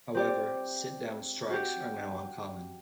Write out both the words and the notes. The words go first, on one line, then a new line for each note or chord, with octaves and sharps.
However, sit-down strikes are now uncommon.
C4 G4 D5
F#4 G4